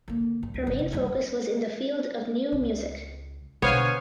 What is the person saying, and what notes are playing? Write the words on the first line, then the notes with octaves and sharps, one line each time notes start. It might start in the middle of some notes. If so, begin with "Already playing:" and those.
Her main focus was in the field of Neue Musik.
D3 A#3
G2
D2
G1 C3
C3
F#1 G2
C#2
B2 D3 B3 C5 C#5 F5 G#5